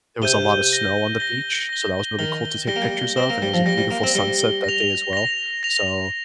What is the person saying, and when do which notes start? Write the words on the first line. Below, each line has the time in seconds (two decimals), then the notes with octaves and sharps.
there was a lot of snow on the beach, so that was really cool to take pictures of, and it was a beautiful sunset that day as well. So,
0.22 C3 G6 D#7 G7
0.72 A#6 G7
1.20 A#6 G7
1.69 A#6 G7
2.19 D#3 A#6 G7
2.67 G3 A#6 G7
2.76 A#3
2.82 G3
3.16 C4 G7
3.20 A#6
3.30 A#3
3.42 G3
3.54 F3
3.66 G3 A#6
3.69 G7
3.78 G3
3.91 A#3
4.03 C4
4.15 G3 A#6 G7
4.64 A#6 F7
5.13 A#6 F7
5.63 A#6 F7